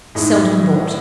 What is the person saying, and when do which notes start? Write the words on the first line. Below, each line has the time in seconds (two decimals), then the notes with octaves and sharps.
Seldom bought.
0.15 A2 G#3 D#4